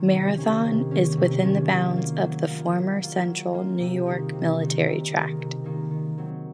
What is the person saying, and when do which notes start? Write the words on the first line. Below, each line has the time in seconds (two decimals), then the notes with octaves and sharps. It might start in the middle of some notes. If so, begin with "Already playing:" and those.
Marathon is within the bounds of the former Central New York Military Tract.
Already playing: D#3 A#3
0.12 C3
0.38 D#3 A#3 C#4
0.64 C3
0.91 D#3 A#3 C#4
1.17 C3
1.43 D#3 A#3 C#4
1.69 F#3
1.96 A#3 F4
2.22 F#3
2.48 A#3 F4
2.75 F#3
3.01 A#3 F4
3.27 F#3
3.54 A#3 F4
3.80 C3
4.06 D#3 A#3 D#4 A#4
4.33 C3
4.59 D#3 A#3 D#4 A#4
4.86 C3
5.12 D#3 A#3 D#4 A#4
5.38 C3
5.64 D#3 A#3 D#4 A#4
5.91 D#3
6.18 F#3 C4